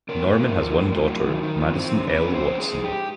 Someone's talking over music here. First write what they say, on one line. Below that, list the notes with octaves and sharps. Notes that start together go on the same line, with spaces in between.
Norman has one daughter, Madison Elle Watson.
C#3 A#4
A3
F2
F3
A2
A2
F#3
D#3
D#3
F3
C4
D3
F3 B4
C#4
C5
A2
F3 G#4
G#2
G4